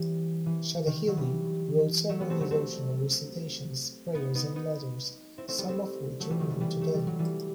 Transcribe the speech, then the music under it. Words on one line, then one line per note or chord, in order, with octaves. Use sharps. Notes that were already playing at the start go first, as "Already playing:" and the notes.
Shadhili wrote several devotional recitations, prayers and letters, some of which remain today.
Already playing: E3 G3 C4
E3
D#3
D#3 F#3
E3 G3
F#3 A3
G3 B3
A3 C4
F#3 A3
A3 C4
B3 D#4
B3 D#4
B3 D#4
C4 E4
A3 C4
G3 B3
A3 C4
F#3 A3
E3 G3
D#3 F#3
E3 G3
E3 G3
A3
G3
F#3
E3 G3